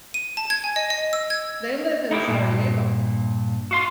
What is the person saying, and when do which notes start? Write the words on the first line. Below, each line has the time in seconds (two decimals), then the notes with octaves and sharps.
They live in Sarajevo.
0.14 D#7
0.37 A5
0.50 G#6
0.64 G#5
0.76 D#5
0.90 D#5
1.13 E6
1.30 G#6
2.11 D#4 E4 G4
2.28 G2 A#2
3.71 F#4 F5 C6